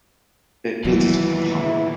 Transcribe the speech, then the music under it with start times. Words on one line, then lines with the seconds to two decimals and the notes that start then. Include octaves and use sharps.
It means it's public,
0.84 A#2 D#3 E3 F#3 B3
1.55 G#2 F3 E4